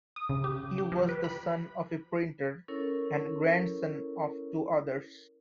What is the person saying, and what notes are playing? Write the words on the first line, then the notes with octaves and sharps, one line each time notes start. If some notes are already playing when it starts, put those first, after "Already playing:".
He was the son of a printer, and grandson of two others.
D#6
C#3
G4
G4
F3
B4
B5
C#4 E4 A4 A#4 C#5